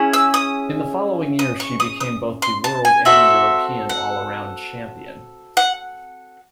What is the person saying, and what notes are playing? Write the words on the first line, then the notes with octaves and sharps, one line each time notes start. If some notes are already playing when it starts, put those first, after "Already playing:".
In the following year she became both the World and the European All-Around champion.
Already playing: C#4 E4 G#4
E6
D#6
D#6
C#6
D#6
D#6
C6
A5
G#5
C4 F#4 A4 E5
F#5
F#5